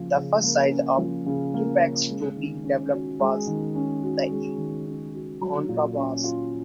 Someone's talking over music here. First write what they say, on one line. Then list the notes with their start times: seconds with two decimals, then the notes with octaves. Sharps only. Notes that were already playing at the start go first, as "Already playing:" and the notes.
The first size of tubax to be developed was the E contrabass.
Already playing: C#3 F3 A#3 C#4
0.15 C#3
0.43 A#3
0.71 C#4
0.98 F3
1.26 C#3
1.54 A#3
1.82 C#4
2.09 G#3
2.37 D#3
2.64 C#4
2.92 F#4
3.20 G#3
3.47 D#3
3.75 C#4
4.03 F#4
4.31 G#3
4.58 D#3
4.86 C#4
5.14 F#4
5.41 F#3
5.69 A#2
5.96 C#4
6.24 F4